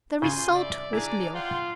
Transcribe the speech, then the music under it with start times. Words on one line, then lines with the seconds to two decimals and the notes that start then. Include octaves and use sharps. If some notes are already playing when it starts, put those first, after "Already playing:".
The result was nil.
0.22 C#3 F4 G#4 G#5 C6 G6
0.55 D5 E5
0.93 D4 E4 G#4 G#5 A#5
1.35 F4 F#5 G5 C6